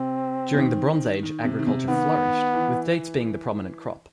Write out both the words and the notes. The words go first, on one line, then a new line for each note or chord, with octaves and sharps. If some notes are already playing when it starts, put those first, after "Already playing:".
During the Bronze Age, agriculture flourished, with dates being the prominent crop.
Already playing: C3 C4
C3
D#3
D#3
C3
D#3
C3
D#3 B3
E3